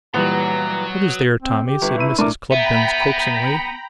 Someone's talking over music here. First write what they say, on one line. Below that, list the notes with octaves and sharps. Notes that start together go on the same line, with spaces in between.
'What is there, Tommy?' said Mrs. Cluppins coaxingly.
A#2 E3 F#3 G3 B3 A#5
C4
G4
G1
E4 E5 D#7
A2 D4 A#4 D6
B3 E5 G5 A#5 B5